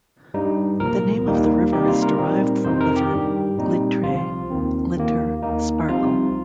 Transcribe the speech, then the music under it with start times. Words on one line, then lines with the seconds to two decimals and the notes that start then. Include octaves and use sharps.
The name of the river is derived from the verb "glitre" 'glitter, sparkle'.
0.34 G2 G3 D#4
0.80 C2 A#2 F3 A#4
1.26 D#2 D#3 G3 A#3 D#4
1.73 C3 G3 A#3 D#4 G4
1.88 F4
2.03 A#4
2.18 A#2 G3 C4 D#4
2.65 F2 C3 F3 D#4 C5
2.81 A#4
2.96 G4
3.12 G2 D#3 G3
3.58 A#2 G3 C4 D#4
4.03 C2 C3 F3 F4
4.50 D#2 D#3 C4
4.97 D#2 D#3 A#3
5.42 D#2 D#3 A#3 D#4
5.88 C2 C3 F3 C4 D#4 F4